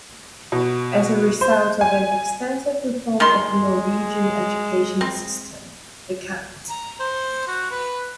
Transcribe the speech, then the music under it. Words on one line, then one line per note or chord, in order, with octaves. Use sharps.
As a result of an extensive reform of the Norwegian educational system, the cand.
B2
C5
G#5
D#3 G#3 C6
C4
A#5
C5
F#4
B4